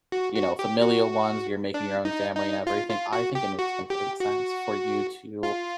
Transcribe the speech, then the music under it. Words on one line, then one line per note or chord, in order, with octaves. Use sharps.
you know, familial ones, you're making your own family and everything, I think it makes complete sense for you to
F#4
F#4
G4
F#4
D4
D#4
D#4
F4
F4
F#4
G4
F#4
G4
F#4
F4